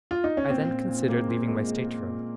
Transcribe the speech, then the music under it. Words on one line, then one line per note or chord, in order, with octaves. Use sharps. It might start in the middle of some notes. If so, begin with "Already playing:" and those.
I then considered leaving my stateroom.
F4
D#4
C#4
A#2 C4
A#2
A#2
G#3 A#3
A#2
G#3
G#3
G#3
A#2